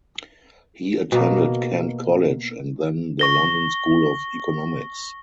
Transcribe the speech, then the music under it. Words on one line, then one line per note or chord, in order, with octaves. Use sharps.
He attended Kent College and then the London School of Economics.
B2 A#3
C#6 A#6 G7